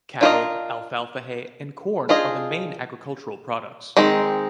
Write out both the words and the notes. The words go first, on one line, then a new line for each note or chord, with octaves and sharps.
Cattle, alfalfa hay and corn are the main agriculture products.
D4 F4 A#4 D#5
D4 F4 G#4 C5 D#5
D#3 G#3 C4